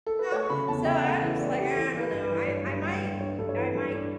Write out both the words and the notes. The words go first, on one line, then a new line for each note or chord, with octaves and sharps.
you know, so, I was like, "I don't know, I I might I might m
A4
B4
A3 C#5
C#6
C#3 B5
E2 A5
C#3 G5
A3 F#5
E3 E5
A3 D5
E3 G4
E3 A4
E3
B4
G2
B4
E3
D5
G2 C#5
G2
G3
G2
D4 C#5
G2 A4
C#5
E3 B4
G2 A4
D4